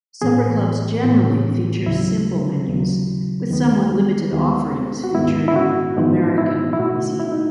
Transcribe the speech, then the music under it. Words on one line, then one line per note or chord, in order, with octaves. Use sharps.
Supper clubs generally feature "simple" menus with somewhat limited offerings featuring "American" cuisine.
A2 E3 B3 G#4
A2 E3 B3
D#2 C#3 F#3 E4
D#2 C#3 F#3
D#2 D#3 G#3 B3
D#2 D#3 G#3 B3
F#4
G#2 D#3 G#3 B3 E4
E4
F#4
G#2 D#3 G#3 B3 D#4
E4
E4
B2 A3 F#4
E4
D#4